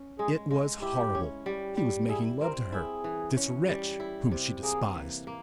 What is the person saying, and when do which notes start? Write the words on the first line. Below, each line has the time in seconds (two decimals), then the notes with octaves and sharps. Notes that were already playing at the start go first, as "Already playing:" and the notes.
It was horrible; he was making love to her, this wretch, whom she despised.
Already playing: C#4
0.19 G#3 G#4
0.51 G#3
0.82 E4 G4
1.15 C#4
1.46 G3
1.77 G3
2.09 E4 G#4
2.41 C4 A#4
2.72 E4 G#4
3.04 E3
3.37 C#4
3.68 G3
4.00 E4
4.31 C3
4.63 A#3 G#4
4.95 E3
5.27 A#3